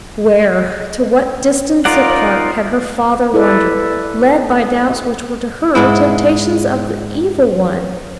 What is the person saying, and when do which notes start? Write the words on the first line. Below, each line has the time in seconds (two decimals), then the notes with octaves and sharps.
Where, to what distance apart, had her father wandered, led by doubts which were to her temptations of the Evil One?
1.85 D#4 F4 A#4 D5 F#5
3.34 E4 A4 B4 D5
5.75 G#2 G#3 E4